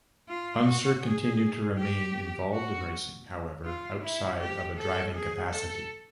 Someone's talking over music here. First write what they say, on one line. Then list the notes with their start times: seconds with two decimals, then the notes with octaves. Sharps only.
Unser continued to remain involved in racing, however, outside of a driving capacity.
0.29 F4
0.66 F#4
1.04 G#4
1.79 G4
2.53 F#4
3.65 F4
4.02 E4
4.39 G4
4.77 A4
5.15 G#4
5.51 A4